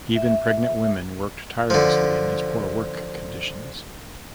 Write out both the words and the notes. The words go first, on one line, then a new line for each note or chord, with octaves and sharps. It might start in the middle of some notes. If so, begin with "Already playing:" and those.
Even pregnant women worked tirelessly in these poor work conditions.
E5
D3 F3